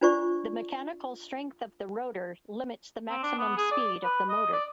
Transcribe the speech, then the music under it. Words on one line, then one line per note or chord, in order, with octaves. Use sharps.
The mechanical strength of the rotor limits the maximum speed of the motor.
D4 F4 C5 D5 C#6
C4
D4
B3
G#4
D5
B4
D#5
D5